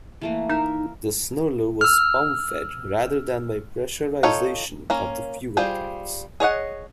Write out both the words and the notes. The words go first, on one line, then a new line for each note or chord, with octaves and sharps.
The Snarler was pump fed rather than by pressurization of the fuel tanks.
E3 A3 A#3
D#4 A#4 E5
E6 F6
D#4 F4 A4 C#5 G5
A#3 C#4 A#4
G3 F4 G#4 C5 G5
G#4 C#5 D#5 F#5